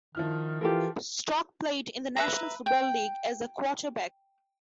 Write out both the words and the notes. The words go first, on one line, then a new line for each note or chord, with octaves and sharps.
Strock played in the National Football League as a quarterback.
D#3 F3 E4 F6
E3 F4 G4 A4 A#4
B4 E5 A#5
G5